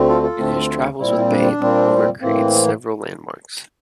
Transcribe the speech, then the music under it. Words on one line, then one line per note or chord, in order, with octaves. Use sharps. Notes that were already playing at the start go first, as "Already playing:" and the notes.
In his travels with Babe, Homer creates several landmarks.
Already playing: D2 D3 A3 C4
F4 A4
F4 A4
D2 D3 A3 C4
A#2 G3 C4 E4
D4
A#2 G3 C4
A2 E3 A#3 C4